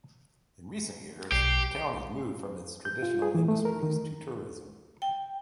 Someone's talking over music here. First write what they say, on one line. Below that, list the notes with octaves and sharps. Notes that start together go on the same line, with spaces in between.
In recent years the town has moved from its traditional industries to tourism.
B1 G4 C7
G6
F4
G#4
E3
A3
A#4
D#3
G5